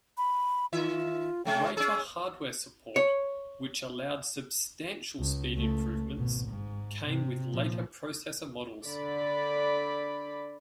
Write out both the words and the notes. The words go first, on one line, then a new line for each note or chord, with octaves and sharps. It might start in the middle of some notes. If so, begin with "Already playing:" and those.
Greater hardware support, which allowed substantial speed improvements, came with later processor models.
B5
D#3 F4 E5
C#3 G#3 C#4 G5
C#4 G#4 E6
C#5
C#2
C#2 A3
G#1 B2
G#2
C3
A#2 F3
D3 D5 B5